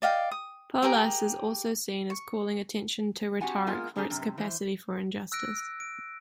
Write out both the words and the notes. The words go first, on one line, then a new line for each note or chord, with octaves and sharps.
Polus is also seen as calling attention to rhetoric for its capacity for injustice.
D5 D#5 F5 G5
D#6
G4 G#4 A#4 D6
C#6
C4 F#4 G4 F#5 G#5 A5
G#3 A#3 B3 F4 G#5
G#2 C4 D4 G4 G#4
F#2 C3
E3 C5
E6 F#6 A#6 D7
D7